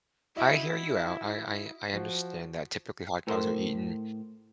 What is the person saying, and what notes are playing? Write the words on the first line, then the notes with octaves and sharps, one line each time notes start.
I I hear you out, I I I understand that, typically, hot dogs are eaten
E4 F#4 D#5 E5
F3 F#4
A2 A4 A#4 C5 B5 C6